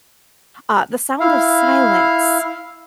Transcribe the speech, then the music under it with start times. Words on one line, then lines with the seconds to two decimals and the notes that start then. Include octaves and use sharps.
uh, The Sound of Silence.
1.21 E4 F5